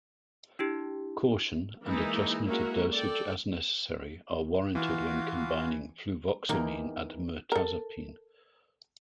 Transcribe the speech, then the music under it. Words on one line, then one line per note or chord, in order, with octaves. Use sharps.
Caution and adjustment of dosage as necessary are warranted when combining fluvoxamine and mirtazapine.
D4 E4 G4
E3 G#3 A#3 D#4 E4
G#3 A#3 C#4 E4 F#4 A#4
A4 D5 G5
E3 F4 F#4 F5
E2 E3 A#3 D#4 G4 A#4
A4 A#4